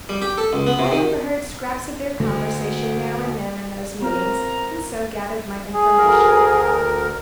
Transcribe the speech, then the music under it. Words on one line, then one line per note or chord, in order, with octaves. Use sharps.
"I overheard scraps of their conversation now and then in those meetings, and so gathered my information."
G3
G4
A4
C#2
B3
C3
D#3
D3 A3
C4 F4 A#4 A#5
G#4
D2 A#4